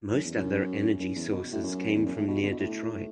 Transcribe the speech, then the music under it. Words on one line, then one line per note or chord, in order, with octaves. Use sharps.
Most other energy sources came from near Detroit.
F#2
E2
F#2
F#2
E2
B2
A2
F#2
E2
F#2
A2
B2
D3
B2
A2